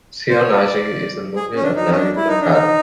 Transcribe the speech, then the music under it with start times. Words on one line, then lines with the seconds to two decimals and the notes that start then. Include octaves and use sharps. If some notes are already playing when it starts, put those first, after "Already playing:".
Seoi-Nage is a movement of Nage-no-kata.
0.29 C5
0.42 C#5
0.55 D5
1.36 G#4
1.55 C#4
1.63 D4
1.76 D#4
1.91 C#4
1.96 D4
2.16 E4
2.28 D#4
2.40 D4
2.52 D#4